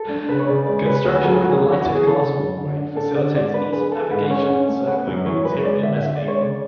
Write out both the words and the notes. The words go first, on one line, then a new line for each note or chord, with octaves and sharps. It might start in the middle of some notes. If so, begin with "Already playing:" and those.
Construction of the lighted glass walkway facilitates ease of navigation encircling the interior mezzanine.
Already playing: A4
D4
C#3 B4
C#5
C#3 D5
G#3 D5
C#3 B4
D2 F#4
F#3 A4
G#4
F#3 F#4
G#4
F#3
F#4
B3 E4
G#4
E3
A4
C#3
F#2
D3
D4
D4 A4
D3 D5
G#2 D5
D4 B4
G#4 B4
G#4 A4
G#2 B4
C#4 C#5
C#4
A3
B3
F#2
E3 C#5
F#2 B4
C#5
G#3 D5
D3 E5
D3 E5
D5
G#3
C#5
C#3 D5